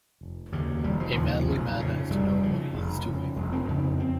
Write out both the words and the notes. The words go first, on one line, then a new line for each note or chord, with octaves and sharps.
A manly man has to know what he is doing.
F1
D#2 C#3
F1 G3
F3
D#2 C#3 F3
F3
F1
F2 C#3
F1 G3
F2 C#3
F1
F2 C#3
F1 G#3
C4
F2 C#3 C#4
C4
C4